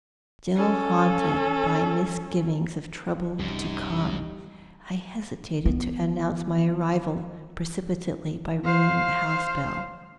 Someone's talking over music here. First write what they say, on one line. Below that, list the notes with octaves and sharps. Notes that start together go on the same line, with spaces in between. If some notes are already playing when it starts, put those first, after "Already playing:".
Still haunted by misgivings of trouble to come, I hesitated to announce my arrival precipitately by ringing the house-bell.
C#4 A4
C2 F#2 G3 D#4
D#3 B3
C5 F5